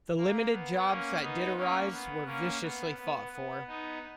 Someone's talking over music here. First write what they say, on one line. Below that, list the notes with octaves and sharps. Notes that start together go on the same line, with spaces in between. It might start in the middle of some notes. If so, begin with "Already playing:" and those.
The limited jobs that did arise were viciously fought for.
A#3
B3
A#3 C#4
B3 D#4
A#3 C#4
B3
A#3 C#4
B3
B3
B3
B3 D#4